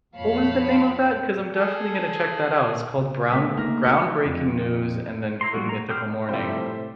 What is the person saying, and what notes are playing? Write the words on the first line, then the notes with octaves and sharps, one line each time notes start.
what was the name of that? 'Cause I'm definitely gonna check that out, it's called brown Groundbreaking News and then Good Mythical Morning.
F2 A#2 C#5 F5 A5 B5
G#4 A4
C#3
A3 B3 G#4 B6
A#3 D#4 G#4 F6 A#6
A#4 C#7
F2
E4 A#5 C6
F3 G3 A#3 F#4
A#5
B3 C4 G4 C5 F6
A2 C3 F3 G3 C5 E5